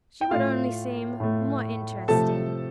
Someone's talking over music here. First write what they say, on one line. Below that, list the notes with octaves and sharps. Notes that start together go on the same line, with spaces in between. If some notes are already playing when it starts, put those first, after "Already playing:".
"She would only seem more interesting."
G5
A2 A3 F4 F5
A2 A3
C3 F3 A3 A4 A5